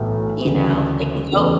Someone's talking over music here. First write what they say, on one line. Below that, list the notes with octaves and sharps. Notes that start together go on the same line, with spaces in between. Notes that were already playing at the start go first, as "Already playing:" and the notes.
you know they can go
Already playing: B1 A2 E3 A3
D2 C#3 E3
E2 C#3 E3 A3